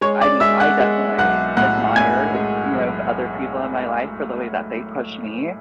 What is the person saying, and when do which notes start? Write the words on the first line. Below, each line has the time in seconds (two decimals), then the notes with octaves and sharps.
I mean, I definitely admire you know of other people in my life for the way that they push me
0.01 G#3 C#5 C#6
0.21 D5 D6
0.40 G#3 E5 E6
0.60 F#5 F#6
0.80 G#3
1.18 B1 F#5 F#6
1.57 A2 F#5 F#6
1.96 A2 G#5 G#6
2.35 G#3
2.73 B1